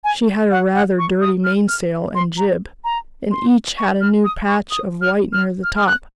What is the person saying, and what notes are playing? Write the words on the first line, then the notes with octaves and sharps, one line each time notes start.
She had a rather dirty mainsail and jib, and each had a new patch of white near the top.
G#5
F#5
F#5
C#6
D#6
F6
F6
C6
A#5
A#5
C6
C#6
F6
D#6
C#6
D#6
F6
F6
F6
F6
F#6